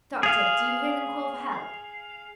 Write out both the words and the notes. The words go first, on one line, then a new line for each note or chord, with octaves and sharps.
"Doctor, do you hear them call for help?"
G#4 F5